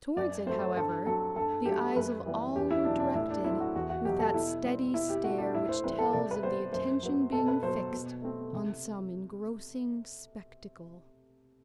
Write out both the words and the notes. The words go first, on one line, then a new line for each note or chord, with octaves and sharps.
Towards it, however, the eyes of all were directed, with that steady stare which tells of the attention being fixed on some engrossing spectacle.
F#2 D5
F#3 A3 C4 C5
G2 A4
F#3 C4 A4
G2 A4
F#3 A3 G4
F#2 B4
E3 G3 B3
E2 G4
E4
B2 F#3 D4
D4
A2 E4
D4
F#3 C4 E4
F#4
E2 F#4
F#4
B2 F#3 G4
A4
B2 E4
G3 C4
B2 E4
G4
A3 C4 F#4
D4
A2 E4
C5
E3 G3 C4 B4
A4
C3 D5
B4
G3 B3 C5
F#2 C5
F#3 B3
B2 A4
B4
F#3 B3 C5
B2
A3 C4
C3